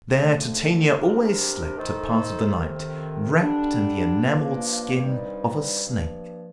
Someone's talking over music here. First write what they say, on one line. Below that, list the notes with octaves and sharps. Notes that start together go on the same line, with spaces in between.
There Titania always slept a part of the night, wrapped in the enameled skin of a snake.
F2 D3 A3
C3 G3 D4 G4 A#4
D#3 A3 D#4 A4 C5
F2 C3 D#3
D3 G3 D4
G2 F3 A#3 D4
G2 D#3 G3 C4 D#4
G2 F3 A#3